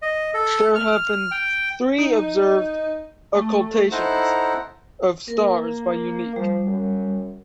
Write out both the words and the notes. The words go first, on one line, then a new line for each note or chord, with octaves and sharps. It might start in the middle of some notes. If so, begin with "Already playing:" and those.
There have been three observed occultations of stars by Eunike.
D#5
A4
F6
G5
D#4
A3
D#4 E4 A4 C5 F#5 A#5
A#3 A#4
F3 G3
F#2